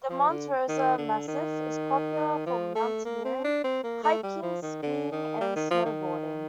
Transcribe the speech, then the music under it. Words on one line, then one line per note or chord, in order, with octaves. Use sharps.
The Monte Rosa massif is popular for mountaineering, hiking, skiing and snowboarding.
F3
D3
D#3
D3
D#3
F3
A3
A#3
C4
D4
C4
A#3
A3
G3
F3
D#3
D3
D#3
G3
D#3
F3
D#3